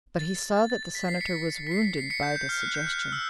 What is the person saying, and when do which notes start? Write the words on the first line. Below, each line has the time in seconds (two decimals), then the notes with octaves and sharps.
But he saw that the Senator was wounded by the suggestion.
0.19 A6
0.57 A6
0.70 A6
0.83 A6
0.95 B6
1.08 C7
1.21 B6 C#7
1.67 B6
1.71 C7
1.85 B6
1.98 C7
2.10 B6 C#7
2.23 G6
2.36 G6
2.49 F6
2.62 F#6
2.74 G6
2.87 F6
2.99 F6
3.12 E6